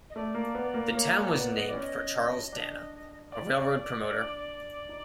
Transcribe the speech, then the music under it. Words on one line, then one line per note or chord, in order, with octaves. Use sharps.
The town was named for Charles Dana, a railroad promoter.
D#5
A3 D5
A#3
B3
A#3
A#3 C#5
C#5
B3 D5
D#5
D5
C#4
D#5
D4
D5
D4
D#4